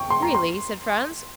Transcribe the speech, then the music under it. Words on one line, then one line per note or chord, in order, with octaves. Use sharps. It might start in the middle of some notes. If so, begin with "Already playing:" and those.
"Really?" said Franz.
Already playing: G5 C#6
C6
A#5
C6